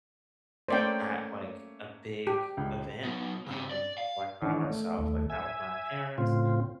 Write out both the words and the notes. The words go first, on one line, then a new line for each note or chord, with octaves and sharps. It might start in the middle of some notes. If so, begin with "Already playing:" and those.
at, like, a big event, um, like, by myself, like, not with my parents,
A3 A#3 C#4 C5 D5 G5
G4
C#2
B1 B3
C#3 C4
D5
F5
D#3 E3 C#4 D4
A3
D#2 A3
E5 G#5
A2 C#3 C4 F4